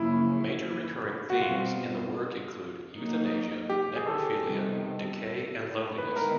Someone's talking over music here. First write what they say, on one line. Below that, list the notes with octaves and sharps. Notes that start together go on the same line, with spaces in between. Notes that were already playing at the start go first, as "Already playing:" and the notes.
Major recurring themes in the work include euthanasia, necrophilia, decay and loneliness.
Already playing: F#2 C#3 F3 A#3 C#4 E4
F#4
B2 G3 C4 F4
F#3 A#3 D#4
G4
G#4
A4
C3 D#3 G3 B3
D#3 G#3 B3 E4 B4
A#4